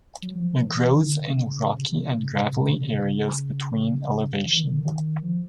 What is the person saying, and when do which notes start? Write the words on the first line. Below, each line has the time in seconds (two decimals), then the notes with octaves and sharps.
It grows in rocky and gravelly areas between elevation.
0.22 F#3
0.36 F3
0.61 E3
0.99 D3
1.19 C#3
1.37 C#3
1.76 C3
2.14 C#3
2.34 C3
2.53 B2
2.66 C#3
2.79 C3
2.92 C#3
4.46 E3
4.57 D#3
4.69 D3
4.81 D#3
5.22 F3